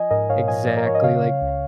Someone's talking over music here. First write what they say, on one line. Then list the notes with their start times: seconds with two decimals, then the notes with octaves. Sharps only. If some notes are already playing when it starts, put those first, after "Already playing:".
exactly, like,
Already playing: F3 D#5 G#5
0.11 G#2 A#4 D#5
0.29 G#2 C#5 F5
0.48 F3 D#5 G#5
0.66 F3
0.77 A#4
0.85 F3 C#5
0.95 D#5
1.03 C#3 C#5 F5
1.23 C#3
1.42 C#2